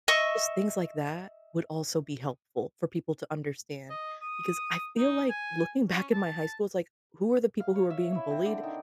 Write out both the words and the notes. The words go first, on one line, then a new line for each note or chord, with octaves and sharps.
just things like that would also be helpful for people to understand, because I feel like, looking back in my high school, it's like, who are the people who are being bullied?
D#5 E5 C#6
D#5
D#6
D#4
G#5
C#4
A5
F5
C#5
E5
E4
C4
D3
D#3